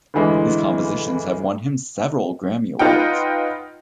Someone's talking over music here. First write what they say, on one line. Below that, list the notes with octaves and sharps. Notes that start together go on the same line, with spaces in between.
His compositions have won him several Grammy Awards.
D2 G2 E3 G#3
D#4 F4 B4 D#5 F#5 G5